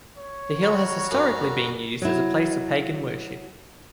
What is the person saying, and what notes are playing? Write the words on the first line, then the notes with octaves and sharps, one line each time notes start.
The hill has historically been used as a place of pagan worship.
C#5
G3 F#4 A#5
F#2
F#3 E4